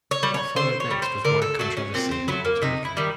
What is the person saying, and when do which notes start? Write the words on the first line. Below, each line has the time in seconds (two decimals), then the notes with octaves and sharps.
What followed next was wide controversy in Puerto Rico.
0.11 C#5
0.23 G3
0.34 C#5
0.56 D3 C5
0.80 C#5
0.91 G3
1.02 C5
1.25 D3 A#4
1.42 A4
1.59 F#3 A3 F#4
1.77 C#4
1.94 A#2 C4
2.11 C4
2.28 F#3 B3
2.32 A3
2.45 A#3
2.62 C3 D#4
2.85 E4
2.97 D#3 G3